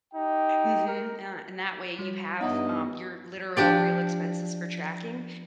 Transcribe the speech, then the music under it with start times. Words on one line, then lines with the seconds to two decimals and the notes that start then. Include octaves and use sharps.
Mhm, uh, and that way, you have, um, your literal real expenses for tracking.
0.14 D#4 G4 G5
0.88 A#4
1.99 G3 F#4 C#5
2.41 G2 B3 D#4 C#5 D#5 E5 F#5
3.57 F3 D4 G4 D5